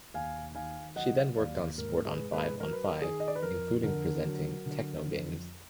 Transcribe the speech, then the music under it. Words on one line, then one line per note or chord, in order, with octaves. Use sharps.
She then worked on Sport on Five on Five, including presenting Techno Games.
D#2 F5 G#5
D#3 F5 G#5
F#3 D#5 F#5
D#2 D5 F5
G#2 A#4
G#4 B4
G#2
G#4 B4
F#3 A#4
B4
A#4
D#3 G#4
D#5
D5
B4
F2 A#4
D3 A#4
F#3
D3
F2